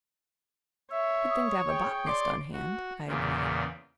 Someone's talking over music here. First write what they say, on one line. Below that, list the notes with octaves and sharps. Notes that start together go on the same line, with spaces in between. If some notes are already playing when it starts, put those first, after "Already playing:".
"Good thing to have a botanist on hand," I agreed.
C#5 E5
D#6
G#4 G5
D5 C6 D6
F#4
E2 A#2 C#3